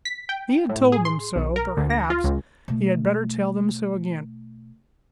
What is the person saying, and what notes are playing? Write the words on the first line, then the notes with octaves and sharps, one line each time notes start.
He had told them so--perhaps he had better tell them so again.
B6
G5
A2
G#4
C6
B1
A#4
D2
A#6
F4
C#2
B2 A3